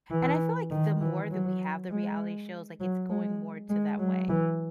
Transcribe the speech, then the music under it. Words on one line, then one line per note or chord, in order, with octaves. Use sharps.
and I feel like the more that we have the reality shows, like, it's going more to that way,
E3
D#3
E3
F#3
G#3
F#3
G#3
G#3
F#3
E3